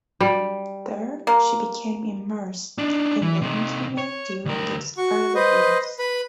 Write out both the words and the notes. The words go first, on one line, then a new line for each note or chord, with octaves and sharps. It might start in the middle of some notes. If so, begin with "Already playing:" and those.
There she became immersed in the internet during its early years.
G3
A#3
D4 D#4
E3
C3 D#4
C#5
D2 A#4
F#4 C#6
B4 C5 D#5
B4 B5